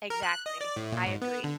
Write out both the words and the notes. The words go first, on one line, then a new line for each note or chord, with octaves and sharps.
Exactly. I agree.
A#4
F#6
D#5
D5
A2
A#2
G#2
B3
D3